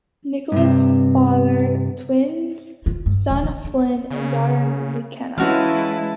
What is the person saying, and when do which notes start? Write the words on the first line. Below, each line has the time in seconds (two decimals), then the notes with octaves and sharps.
Nicholls fathered twins, son Flynn and daughter McKenna.
0.52 G2 C3
2.86 F4
3.06 G2
3.30 D#1
3.44 D4
3.64 C#2
4.10 C#3
5.38 E3 G#3 C#4 E4 F#4 B4 F5 A5